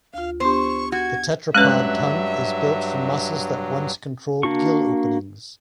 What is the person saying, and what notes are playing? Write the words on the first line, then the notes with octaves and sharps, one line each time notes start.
The tetrapod tongue is built from muscles that once controlled gill openings.
D2 F4 F5
B3 D4 G4 C5 C#6
F#4 G#6
G2 F#3 G#3 C#4 B4 E5 F#6
A#3 D4 F#4 C#6